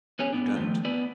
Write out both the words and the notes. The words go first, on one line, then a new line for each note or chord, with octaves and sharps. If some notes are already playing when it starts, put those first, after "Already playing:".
You don't.
B3 C#4 G#4 C#5
B3 D4
D#3 F3 A3
B3 B4 D5